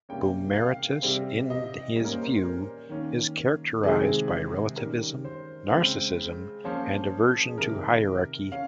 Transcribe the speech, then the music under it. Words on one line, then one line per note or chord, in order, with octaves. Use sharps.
Boomeritis, in his view, is characterized by relativism, narcissism, and aversion to hierarchy.
C3 G3 A#3 C#4 G5
F5
C3 G3 C4
D#5
A#2 G3 A#3 C#4 C#5
A#4
C5
A#4
C5
A#4
D#3 A#3 C#4
C3 D#3 G#3 C4 G#4
D#3 G3 C#4 A#4
C5
C#3 G#3 C4 C5
F3 A#3 C#4 C5
G#4
C3 D#3 G3 A#4
C#4 F5